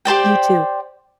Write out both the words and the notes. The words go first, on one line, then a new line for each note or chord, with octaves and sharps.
You too.
G4 C5 D5 G5